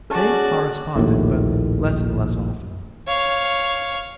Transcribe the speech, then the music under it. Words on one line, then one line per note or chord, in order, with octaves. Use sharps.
They corresponded, but less and less often.
C#4 F#4 G#4 A4 D5 A5
A#1 D#2 A2
C#5 F5